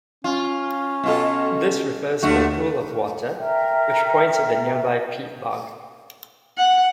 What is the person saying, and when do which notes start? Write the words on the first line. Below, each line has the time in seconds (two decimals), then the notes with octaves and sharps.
This refers to a pool of water, which points at the nearby peat-bog.
0.24 C#4 F4
1.04 B2 F4 A4
2.23 D#2 D3 A3 F#4
3.36 A#4 E5 G5
6.57 F#5